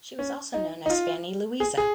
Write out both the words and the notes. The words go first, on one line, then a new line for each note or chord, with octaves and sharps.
She was also known as Fanny Louisa.
C#4
D#4
D#4
F4
G#4
G#4